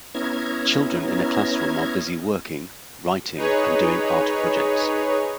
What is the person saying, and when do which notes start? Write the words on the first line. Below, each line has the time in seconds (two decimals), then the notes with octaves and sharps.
Children in a classroom are busy working, writing and doing art projects.
0.15 B3 C#4 E4 A#5 G#6
3.36 D#4 G#4 B4 C#5